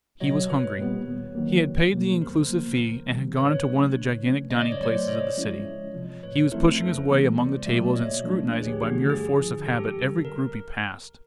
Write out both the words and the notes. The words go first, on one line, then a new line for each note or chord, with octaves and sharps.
He was hungry; he had paid the inclusive fee and had gone into one of the gigantic dining-places of the city; he was pushing his way among the tables and scrutinising by mere force of habit every group he passed.
B2 F#3 C#5 D#5
C2 B4 C#5
A#2 G3 B3
D#2
D#3 F#3 A#3
E2
B2 G3 A#3
E2 A#4 C5
C#3 F3 A#3
D#2
D#3 G3 C4
A2 B4 C#5
F#3 A3 D4
C#3
F3 A3 C#4
C#3 D#5
D5
C#5
F#3 A3 C5 D5
C3 C#5 D#5
F3 G#3 C#4 E4
C#2
C3 F3
A2 B4 C#5
F3 A3 C4 E4 A#4 C5
F2 A4 B4
C3 E3 G#3 B3
C#2 C5 D5
B2 F#3 A3 D5 E5
A#2 C#5 D#5
F3 A3 D4
D2 B4 C#5
G#4
G4
D3 F3 A3 F#4
G4
G2 G#4
D3 F3
F#2 G4 A4
D3 G3
A#4